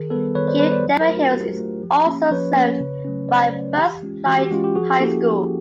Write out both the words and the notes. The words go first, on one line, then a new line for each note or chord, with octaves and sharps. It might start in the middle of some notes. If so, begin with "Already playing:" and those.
Kill Devil Hills is also served by First Flight High School.
Already playing: D#3 G#4 A#4
G3 B3 A4 B4
D#3 B4 C#5
C5 D5
G3 B3 B4 C#5
C5 D5
F#3
A#4 C5
A3 D4 F4
F#4
F#3 G4
A3 D4 F4
F3
A#3 C#4
F3 B4 C#5
A#3 C#4
C#3
F#3 A3 C#4
C#3 C5 D5
F#3 A3 C#4
E3 G4
G#3 C#4 F4
E3 F#4
G4
G#3 C#4 F4 F#4
G4
F3 F#4 G#4
A#3 C#4 E4 G4 A4
F3 G4